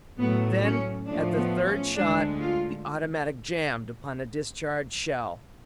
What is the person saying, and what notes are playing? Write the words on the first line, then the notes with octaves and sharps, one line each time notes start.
Then, at the third shot, the automatic jammed upon a discharged shell.
A2 F#3 A3 B3
C#4
A2 F3 A3 D4
B3
C#4
D2 D3 G#3 D4
F4